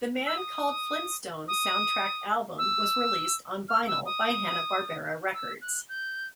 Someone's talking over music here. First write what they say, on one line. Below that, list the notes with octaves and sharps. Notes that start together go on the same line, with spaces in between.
The Man Called Flintstone soundtrack album was released on vinyl by Hanna-Barbera Records.
E6
D#6
D#6
E6
F6
E6
D#6
E6
F#6
G6